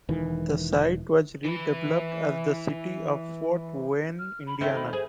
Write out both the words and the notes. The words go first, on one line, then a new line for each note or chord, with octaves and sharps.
The site was redeveloped as the city of Fort Wayne, Indiana.
E1 D#3 E3
E3 E4
F6
B5
D#3 A3 C4 E5
B5
G#4 C5